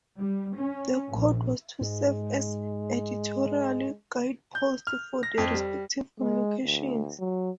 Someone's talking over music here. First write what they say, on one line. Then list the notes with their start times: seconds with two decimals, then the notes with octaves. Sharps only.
The code was to serve as editorial guideposts for the respective communications.
0.20 G3
0.58 C#4
1.08 A#1
1.81 G#2 G#3
4.55 G6
4.87 F6
5.23 A#6
5.38 F2
5.54 G3
6.20 G#3
6.62 D2
7.19 F#3